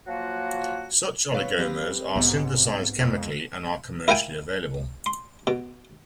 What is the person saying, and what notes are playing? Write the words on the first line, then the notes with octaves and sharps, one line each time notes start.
Such oligomers are synthesized chemically and are commercially available.
F3 F#3 A#3 F4 F#4
F#3 B4 C#5 F5
C4 G4 B4
B1 G#2 B3
A#1 F2 G#3
E4 A#4 F5 G5 G#5
C6
B2